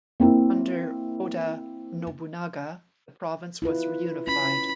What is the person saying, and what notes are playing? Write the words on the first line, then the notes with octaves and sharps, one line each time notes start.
Under Oda Nobunaga, the province was reunified.
A#3 C4 E4
E4 F4 B4
C#4 B5